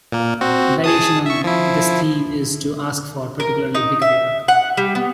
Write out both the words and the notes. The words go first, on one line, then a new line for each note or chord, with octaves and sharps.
A variation on this theme is to ask for a particularly big favor.
A#2 A#3
C4 F#4
G#4 A5 D#6
E5 C#6
F3 E4
A#4
D#4
E5
F#5
G3
B3